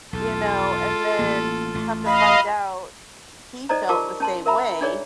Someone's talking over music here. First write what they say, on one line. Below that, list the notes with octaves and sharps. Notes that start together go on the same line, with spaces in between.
you know? And then come to find out, he felt the same way,
B1 E2 F4 A4
A1 A#3
A1 A3
D#5 F5 B5
D#4 A4 C5 D5 D#5 A#5
F4 G4 A#4 A5 C#6 D6
C#4 A5 C6
A#4 E5 A#5 B5
D4 D#4 G#4 C#5 D5 G5